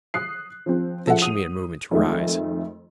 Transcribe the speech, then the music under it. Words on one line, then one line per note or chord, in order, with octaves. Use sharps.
Then she made a movement to rise.
D#6 F#6 C7
F3 C4
F3 A4 E5 F#5
D#6 D#7 F7
F2 D#3 G#3 A3